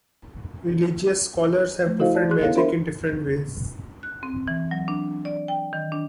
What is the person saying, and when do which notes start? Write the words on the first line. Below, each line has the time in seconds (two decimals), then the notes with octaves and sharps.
Religious scholars have defined magic in different ways.
1.86 F3 A3
2.00 E4 F#4 A4 C5 D#5 F5
2.14 C#5 D5 A5
2.30 G#4 C6 F#6
2.42 B3 E4 A4 C#5 F5
2.55 D4 A#4 C5 E5 B5 C6
4.03 F#6
4.23 C4
4.48 E3
4.71 F#3
4.88 D4
5.25 D5
5.48 G5
5.73 D#3
5.92 D4